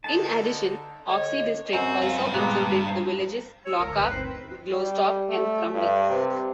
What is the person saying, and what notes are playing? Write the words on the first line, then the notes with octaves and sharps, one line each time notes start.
In addition, Oxie district also included the villages Lockarp, Glostorp and Krumby.
D3 D#4 A5
D3 C#5 D#5
F#2 C4 F#4
C#4 F4
G2
A#2 G#3 B3
C5
C#5 E6
D2 D3 A#4
G1 D2 B4
C4 D#4 C5
G3
A3
G2
C3